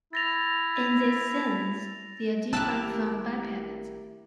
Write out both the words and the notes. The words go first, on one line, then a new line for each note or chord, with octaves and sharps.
In this sense, they are different from bipeds.
E4 A6 A#6 F7
G#1 A3 E4 G4 A#4 A5 E6 F#6